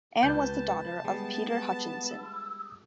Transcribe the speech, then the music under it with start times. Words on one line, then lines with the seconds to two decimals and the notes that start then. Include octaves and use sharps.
Anne was the daughter of Peter Hutchinson.
0.23 C#2 B4 A5 G6
1.04 G3 G#3 B3